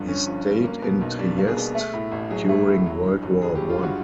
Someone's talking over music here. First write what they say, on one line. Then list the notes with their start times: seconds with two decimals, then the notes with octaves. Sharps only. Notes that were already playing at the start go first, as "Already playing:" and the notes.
He stayed in Trieste during World War One.
Already playing: G1 G2 F3
0.08 D3 C#4
0.27 F3
0.45 G2
0.64 A#3
0.82 B2
1.01 B1
1.19 G3 D4
1.38 A#3
1.47 G#4
1.57 B2
1.75 A3
1.93 A2
2.12 A1
2.30 F#3 G#4
2.49 A3
2.68 A2
2.86 F#3
3.04 G2
3.23 G1
3.41 D3 G#4
3.55 F#3 G4
3.69 F4
3.78 G2 F#4